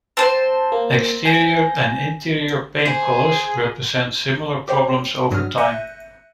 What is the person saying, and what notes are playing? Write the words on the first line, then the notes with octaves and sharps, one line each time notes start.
Exterior and interior paint colors present similar problems over time.
C4 C5 A5
A#3
G#5 G6 A#6
G#4 C5
G4 C5 C#5 G5
G2 F#3 D#6 F6
E5 F#6 G6 A#6 C#7 D#7